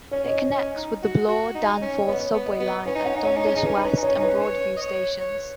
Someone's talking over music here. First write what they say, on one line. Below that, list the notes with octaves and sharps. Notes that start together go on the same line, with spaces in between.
It connects with the Bloor-Danforth subway line at Dundas West and Broadview stations.
C#4 C#5
D#5
C#5
C#4 D#5
D#4
F#4
F#4
D#4
C#4
D#5
B3 C#5
B3
D#5
B3
C#4 B4
D#4
C#4 F#5
D#4
C#4 C#5
D#4
C#4 G#4
D#4
C#4 B4
D#4
C#4 B4
D#4
C#4 C#5
D#4 B4
C#4
C#5
D#5
C#5
C#5